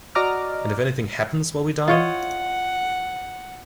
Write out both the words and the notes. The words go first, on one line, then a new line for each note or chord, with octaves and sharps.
And if anything happens while we dine?
F#4 D5 D#5 A#5 D6 F6
F4 C#5 D#5 F#5